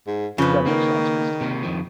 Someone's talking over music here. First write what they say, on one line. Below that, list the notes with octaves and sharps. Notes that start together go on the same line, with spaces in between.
That makes sense 'cause
G#2
F2 C#3 F3 B4
D#3 A#3
C3 A#3
F2 D#3 F3